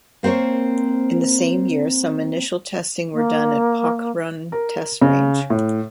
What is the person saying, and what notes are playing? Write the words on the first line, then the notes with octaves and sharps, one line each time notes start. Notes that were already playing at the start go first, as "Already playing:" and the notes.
In the same year some initial testing were done at Pokhran Test Range.
A#3 C4 A#4 C5 C#5
A#3
A#4
C#3
A2